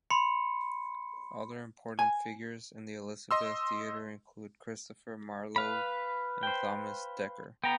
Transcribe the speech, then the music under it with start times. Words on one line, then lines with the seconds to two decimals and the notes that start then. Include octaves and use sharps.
Other important figures in the Elizabethan theatre include Christopher Marlowe, and Thomas Dekker.
0.10 B5 C6 C#7
1.99 G#5
3.31 D#5 C6 E6
5.56 B4 F5 B5
6.43 C5 G5
7.64 B3 G5 A#5